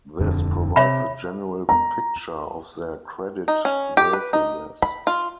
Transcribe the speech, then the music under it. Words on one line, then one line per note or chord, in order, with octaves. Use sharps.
This provides a general picture of their credit worthiness.
D#1 F2 D3
C3 C#5 E5 B5
A#5
D#4
C#4
G4
B4
D#4
B5
F4